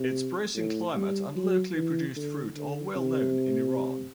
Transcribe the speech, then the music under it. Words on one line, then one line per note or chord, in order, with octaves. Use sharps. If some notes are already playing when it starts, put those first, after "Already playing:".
Its bracing climate and locally produced fruit are well known in Iran.
Already playing: C3
A2
G3
F#3
E3
D3
D3
C3